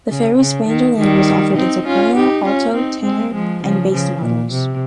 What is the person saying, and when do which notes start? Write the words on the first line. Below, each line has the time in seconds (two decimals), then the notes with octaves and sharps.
The Farris banjolin was offered in soprano, alto, tenor, and bass models.
0.10 C#3
0.38 C#3
0.68 D#3
0.98 D#3 G3
1.57 C4 D#4
1.87 C#4 F4
2.16 D#4 G4
2.45 C#4 F4
2.74 C4 D#4
3.04 G#3 C4
3.33 F3 G#3
3.63 C#3 F3
3.92 C#3 F3
4.22 A#2
4.52 C3